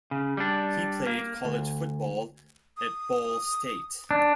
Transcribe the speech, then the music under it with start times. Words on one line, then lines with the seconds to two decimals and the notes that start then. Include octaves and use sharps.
He played college football at Ball State.
0.11 C#3
0.37 G3 D4
1.07 A#3
1.45 D2
2.77 D#6
4.11 D4